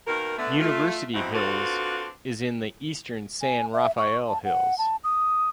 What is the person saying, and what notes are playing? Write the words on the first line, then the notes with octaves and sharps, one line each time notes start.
University Hills is in the eastern San Rafael Hills.
B2 D#3 A#3 A#4
D3 A3 B3
A3 F4
G#2 B2 E3 F3 C4 F#5
C4 D4 F4 F#4 A4 B4
G#5
E5
C#6
A5
F#5
A5
D#6